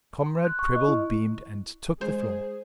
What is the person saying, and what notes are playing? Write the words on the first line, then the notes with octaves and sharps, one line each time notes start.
Comrade Prebble beamed, and took the floor.
C6
F#6
C#6
D#5
E4
G#3 G#4 C5